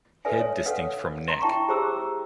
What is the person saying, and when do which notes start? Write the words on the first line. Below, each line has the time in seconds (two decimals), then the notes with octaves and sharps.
Head distinct from neck.
0.25 A4 B4 D5 E5 G#5
0.39 C#5
0.66 A4 B4 C#5 F5 F#5
1.28 A#5 C6
1.42 E4 E5 G5 A5 C#6
1.68 G4 G#4 C5 A#5 D6 E6